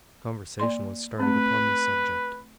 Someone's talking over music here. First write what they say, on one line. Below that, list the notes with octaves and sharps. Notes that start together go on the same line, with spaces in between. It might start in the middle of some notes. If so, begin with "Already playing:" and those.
Conversation was started upon this subject.
A#3 D5 C6
A3 C4 B4